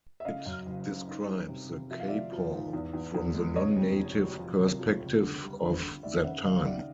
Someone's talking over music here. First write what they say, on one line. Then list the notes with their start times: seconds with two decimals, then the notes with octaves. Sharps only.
It describes the Quapaw from the non-native perspective of that time.
0.20 E5
0.25 C#3 D#5 F5
0.46 F#2
0.66 F#1
0.87 C#3
1.08 D#3
1.28 G3
1.49 C3
1.70 C3
1.90 F3 E5
1.99 F5
2.08 F3 D5 E5
2.32 F3
2.53 G#2
2.73 E2
2.94 E2
3.14 E2
3.34 G#3
3.56 C#3 C#5 D#5
3.76 F2
3.97 F1
4.18 F#3
4.38 F3
4.59 C3
4.79 F3
5.00 C#2
5.21 D3
5.42 G3
5.62 D3
5.83 D3
6.03 D#2 D5 E5
6.24 C#3 E5 F#5
6.44 C#3 D#5 F5
6.66 D#2 D5 E5